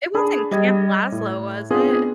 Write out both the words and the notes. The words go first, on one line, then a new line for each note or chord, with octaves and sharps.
It wasn't Camp Laszlo, was it?
D4 G#4 A5 B5
G3 D#5 G#6
A2
B3 C4 D4 F4 G#4